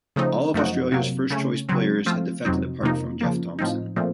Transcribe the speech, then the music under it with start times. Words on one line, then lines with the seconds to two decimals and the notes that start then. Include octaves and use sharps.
All of Australia's first-choice players had defected apart from Jeff Thomson.
0.16 C#3 F3 A3 C4 D#4
0.54 F#2 F3 A3 D#4 F#4
0.92 C3 F#3 A#3
1.30 C#3 A3 C#4
1.69 C#3 F#3 C4
2.06 F3 A3 C4 F4
2.45 F2 C3 F#3 C4 D#4
2.82 F2 C3 F3 A#3 D#4
3.21 C#3 F3 A#3
3.59 A2 F3 C4 D#4
3.96 A#2 F3 A3 C4